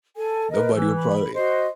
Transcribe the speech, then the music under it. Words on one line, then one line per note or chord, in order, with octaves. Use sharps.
Nobody will probably
A4 G#5
A#4 B4 D#5
E3 E6
B5
F#4 C5 D#5 C6